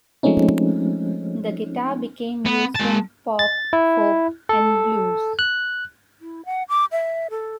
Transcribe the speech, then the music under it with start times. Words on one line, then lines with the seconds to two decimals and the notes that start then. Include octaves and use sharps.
The guitar became used in pop, folk, and blues.
0.23 F3 G#3 A3 C4 C#4 D#4
2.46 B3
2.76 G#3 A5
3.39 A6
3.73 E4
4.49 A4
5.39 F#6
6.21 E4
6.46 F#5
6.69 D6
6.92 E5
7.30 A4